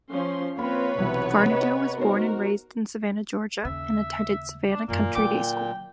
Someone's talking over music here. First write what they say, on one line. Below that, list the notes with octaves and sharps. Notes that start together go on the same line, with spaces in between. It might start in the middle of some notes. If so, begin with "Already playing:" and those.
Varnedoe was born and raised in Savannah, Georgia, and attended Savannah Country Day School.
F3 C#4 C6
A#3 C4 F4 B4 C#5 B5
B1 C3 E3 B3 E5
D#5
B3 D#4 F#4 A#4 C5
D#2 C#3 E5
D4
F#2 A#2 D#3 A#3
D3 F#3 G5 D6